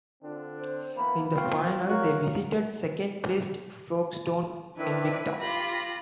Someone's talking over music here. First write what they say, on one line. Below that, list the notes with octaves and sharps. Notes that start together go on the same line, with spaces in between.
In the final, they visited second-placed Folkestone Invicta.
D3 C4 D4 F4
C5
E3 A#3 B3 B5
B3 C4 F4 F5 G5 C#6
C3 F#4 A#4 C#5 F5 C#6
D#3 C4 D4 E4 B4 B6
F4 G4 B5 A#6